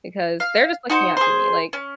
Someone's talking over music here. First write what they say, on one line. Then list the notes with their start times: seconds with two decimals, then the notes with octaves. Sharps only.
because they're just looking out for me. Like,
0.40 F5
0.90 D#4 F#4 C5
1.17 G#4 C5
1.73 C#4